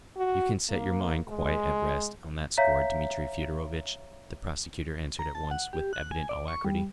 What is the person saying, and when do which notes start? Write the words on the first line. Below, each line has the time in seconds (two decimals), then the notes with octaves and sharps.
"You can set your mind quite at rest on that score, Dmitri Fyodorovitch," the prosecutor answered at once, with evident alacrity.
0.17 F#4
0.69 A#3
1.29 G#3
2.57 C#5 E5 F5 A#5 G6 B6
5.19 A#5
5.35 A5
5.51 F#5
5.73 G4
5.93 F#6
6.11 G#5
6.29 D5
6.48 C#6
6.65 G3